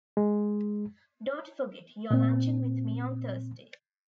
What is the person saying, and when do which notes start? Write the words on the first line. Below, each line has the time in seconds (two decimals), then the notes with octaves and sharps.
Don't forget, you're lunching with me on Thursday.
0.17 G#3
2.11 A#2 C4